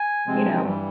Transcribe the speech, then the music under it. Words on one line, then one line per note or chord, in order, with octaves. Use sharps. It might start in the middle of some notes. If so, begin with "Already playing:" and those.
you know?
Already playing: G#5
C3 F3 G#3 C4
G2 E3 G3